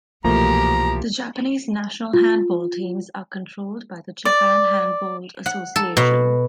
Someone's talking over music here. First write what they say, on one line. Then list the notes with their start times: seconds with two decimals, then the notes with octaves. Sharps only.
The Japanese national handball teams are controlled by the Japan Handball Association.
0.24 C2 B2 E3 F3 A3 A#3 G4 A#5
2.13 F4
4.25 D5
5.46 F#5
5.76 A4
5.97 B2